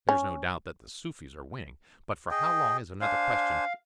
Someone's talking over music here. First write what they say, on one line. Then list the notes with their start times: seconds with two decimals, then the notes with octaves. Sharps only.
There's no doubt that the Sufis are winning; but for how long is another question.
0.09 C#4
2.31 G#4 D#5 G5
3.01 D4 C5 F5 G#5